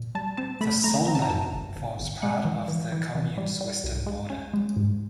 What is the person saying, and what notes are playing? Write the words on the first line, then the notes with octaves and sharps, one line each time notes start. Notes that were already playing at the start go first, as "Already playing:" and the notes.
The Solnan forms part of the commune's western border.
Already playing: A#2
G3 A5
C4 A5
A3 B5
A3 A#5
C4 A#5
A5
A#5
F#2 A5
G#1
G#1
G#1
G#3 F#5
E3
E3
E3
E3
G3
G3
C2
G#3
C#4
G#3
G#2